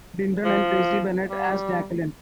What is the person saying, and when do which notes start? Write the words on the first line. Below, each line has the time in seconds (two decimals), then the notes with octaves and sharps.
Dindon and Tracie Bennett as Jacqueline.
0.45 F3
1.29 G3